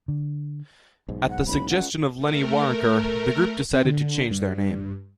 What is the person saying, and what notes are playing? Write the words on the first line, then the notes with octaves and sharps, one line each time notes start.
At the suggestion of Lenny Waronker, the group decided to change their name.
D3
B1 G#2
F#5
F#1 B5
C#2 F#5
A3 A#4
C4
D3
G2